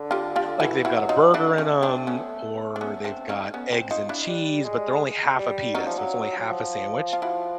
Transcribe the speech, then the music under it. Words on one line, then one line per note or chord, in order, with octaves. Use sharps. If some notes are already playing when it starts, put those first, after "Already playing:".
like they've got a burger in 'em or they've got eggs and cheese but they're only half a pita so it's only half a sandwich,
Already playing: D3
F4 G4
F4 G4
E3 E4 F#4
E4 F#4
F#3
D#4 F4
A3 D4 E4
C#4 D#4
C4 D4
B3 C#4
D4
B3 C#4
C4 D4
C#4 D#4
B3 C#4
C4
D#4 F4
D4 E4
G3
G#3
G3
F#3 C#4 D#4
F3
F#3
F#3
F3
F4
E4 F#4